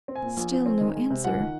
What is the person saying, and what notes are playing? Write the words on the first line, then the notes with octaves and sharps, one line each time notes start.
Still no answer.
C4
G#5
A#2
A#1
F3
C4
D#3
G#3
C3
C#2 F#5
D#3